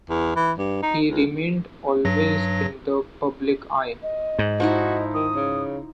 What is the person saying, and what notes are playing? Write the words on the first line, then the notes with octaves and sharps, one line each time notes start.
He remained always in the public eye.
E2
E3
G2
D#4
C#2
G2 F#3 A#6
D#5
G#2
F3 D#4 E4 F#4
D#3 D#6
C#3